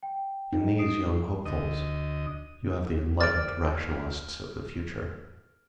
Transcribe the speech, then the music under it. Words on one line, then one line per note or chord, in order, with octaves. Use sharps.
In these young hopefuls you have the enlightened Rationalists of the future.
G5
D#4
D#6 C7 D7
D2 D#5
A#4 C5 D5 F6 A6 D7